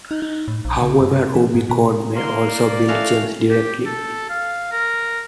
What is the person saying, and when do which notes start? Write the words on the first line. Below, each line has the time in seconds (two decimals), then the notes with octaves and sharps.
However, Ruby code may also build Gems directly.
0.11 D#4
0.22 D#4
0.48 A2
0.65 A#1
0.82 C#3
1.00 G2
1.35 E3
1.55 G#2
1.69 B2
2.16 A#3 C6
2.48 D5
2.88 A3 C#4 F#4 F5
3.50 G4
3.86 A4
4.30 F5
4.72 A#4